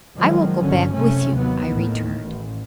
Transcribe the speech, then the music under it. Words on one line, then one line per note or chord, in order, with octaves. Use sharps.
"I will go back with you," I returned.
D#3 F3 F#3 G#3
G1 B2 D3 C#4
F#1 C3 A3 C#4
D#2 F#3 B3
D#2 A2 D#3
A1